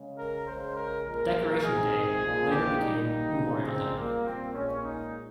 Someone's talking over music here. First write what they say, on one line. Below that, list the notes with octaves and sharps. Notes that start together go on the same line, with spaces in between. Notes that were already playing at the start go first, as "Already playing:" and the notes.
Decoration Day later became Memorial Day.
Already playing: C#3 G#3
A#4
C#3 G#3 C5
A#4
A#2 F3 G#3 A#4
C3 D#3 G#3 G#4
A#2 F3 G#3
G4
A#2 G3 D#4
C#3 F3 G#3
C4
A#2 G3 A#3
C4
A#2 G#3 C#4
D#4